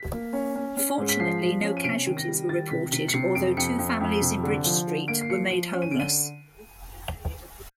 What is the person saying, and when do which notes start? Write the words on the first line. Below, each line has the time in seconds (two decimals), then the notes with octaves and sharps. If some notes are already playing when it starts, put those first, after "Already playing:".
Fortunately no casualties were reported although two families in Bridge street were made homeless.
Already playing: B6
0.12 A#3
0.33 C#4
0.56 C#4
0.77 C#4
0.98 G#2
1.09 B6
1.19 F3 C7
1.41 F3
1.63 C#4
1.77 D#7
1.84 C3 D7
2.07 D#3
2.17 A#6
2.28 G3
2.49 D#3 A6
2.70 C3 B6
2.92 C3 B6
3.08 C#7
3.14 C3 C7
3.35 F2 D7
3.57 F2 C#7
3.78 F2
4.00 F2
4.21 C3
4.43 D3
4.65 F3
4.87 D3
5.08 A#3 D7
5.21 C7
5.30 F3 C#7
5.50 F3 D7
5.73 C#4
5.82 D#7
5.91 D3 D7
6.00 D#7